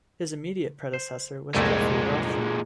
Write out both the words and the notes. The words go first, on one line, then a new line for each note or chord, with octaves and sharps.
His immediate predecessor was Jeffery Rowthorn.
C5
C2 F2 A#2 G#3 A3